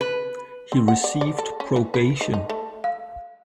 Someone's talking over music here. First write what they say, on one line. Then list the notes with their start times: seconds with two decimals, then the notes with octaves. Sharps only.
He received probation.
0.01 B4
0.72 C4
0.88 F#5
1.04 D5
1.21 D5
1.38 A4
1.60 C#4
1.76 E3
1.94 B4
2.21 D#4
2.34 D#4
2.49 A3
2.84 F5